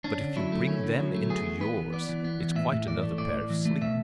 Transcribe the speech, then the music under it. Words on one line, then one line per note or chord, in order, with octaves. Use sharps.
But if you bring them into yours it's quite another pair of sleeves.
C#4 D4
D3
F#3 E4
A3
C#4
D3
F#3
A3
B3 G#4
E3
B3 B4
E3
B3 D5
E3
B3
E3
A2 E5
A2
E3 D5
A3
A2 D5
A2
E3
A3
B2 E5